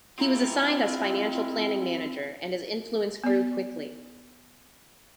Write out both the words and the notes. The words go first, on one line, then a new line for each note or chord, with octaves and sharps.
He was assigned as financial planning manager, and his influence grew quickly.
G#3 C4 E4 F4 A#5
B3 D5